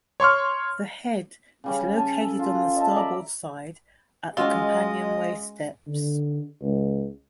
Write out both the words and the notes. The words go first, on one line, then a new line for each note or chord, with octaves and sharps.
The head is located on the starboard side at the companionway steps.
C#5 C6 C#6 F6
C#3 G3 C#4
G#5 A5
A4
F4
D#5 E5 A5
D5 E5 A#5 B5
G#3 C#4 F4 F#4 D#5 E6
D3
C#2